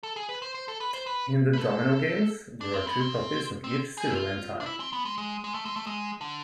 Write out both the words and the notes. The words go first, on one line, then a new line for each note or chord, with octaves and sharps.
In the domino games, there are two copies of each Civilian tile.
A4
G#4
B4
C5
C5
A4
B4
C5
B4
B4
A4
D4
C4
B3
C4
C4
G#4
E4
F4
D4
E4
C4
B3
G#3
G#3
G#3
A3
G#3
A3
G#3
D3